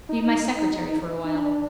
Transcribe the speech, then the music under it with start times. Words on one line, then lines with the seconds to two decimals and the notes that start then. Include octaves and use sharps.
Be my secretary for a while.'
0.09 D#4
1.24 D#4
1.35 D4